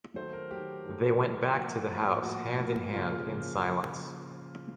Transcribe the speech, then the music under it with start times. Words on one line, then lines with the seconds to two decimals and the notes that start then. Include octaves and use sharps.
They went back to the house, hand in hand, in silence.
0.15 D#3 F#3 A3 C5
0.33 A#4
0.50 D#3 F#3 A3 G4
0.85 D#3 F#3 A3
1.19 D#3 F#3 A3
1.54 A2 F3 A#3 F#4
1.89 A2 F3 A#3
2.23 A2 F3 A#3 F#4
2.58 A2 F3 A#3
2.92 C#3 F3 A#3 F4
3.26 C#3 F3 A#3